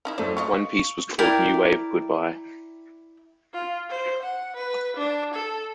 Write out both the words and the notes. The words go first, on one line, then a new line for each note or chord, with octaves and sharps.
One piece was called "New Wave Goodbye".
C#4 D#4 E4
F#2 A3 E4 A4 C5 D5
E3 F4 D#5 C#6
E4 A#4 D5 G5
F4
C5
F#5
B4
D4
A4